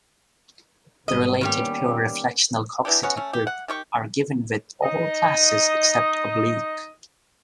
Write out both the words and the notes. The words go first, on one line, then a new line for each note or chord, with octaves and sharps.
The related pure reflectional Coxeter group are given with all classes except oblique.
G#1 G3 B3 D#5
D#3 G3 A#3 B3 C#4 G4
E3 B3 D4 G4
B3 C#4 F#4
A3 C#4
G4
F#5
D#3 G4 C#6
D#4 D#5